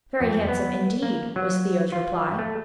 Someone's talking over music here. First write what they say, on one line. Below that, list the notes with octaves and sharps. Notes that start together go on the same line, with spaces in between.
"Very handsome, indeed," was Theo's reply.
F2
B3
A#3
F#3
F4
A3